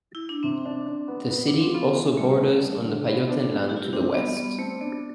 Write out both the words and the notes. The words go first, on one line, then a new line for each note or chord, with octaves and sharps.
The city also borders on the Pajottenland to the west.
E4
D4
C3 C4
D4
D4
B3
B3
D4
F4
C4
B3 F4
E3
G3 A3
B3
G3
D3
B3 F4
D4
D4
G3 G4
F4
E4
C4 D4
G3 B3
G3 B3
A3 C4
B3 D4